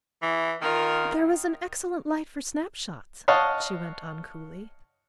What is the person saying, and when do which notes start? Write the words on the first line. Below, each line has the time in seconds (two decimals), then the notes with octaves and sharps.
"There was an excellent light for snapshots," she went on coolly.
0.22 E3
0.62 D#3 F4 A#4
3.28 C#5 D#5 F5 F#5 A5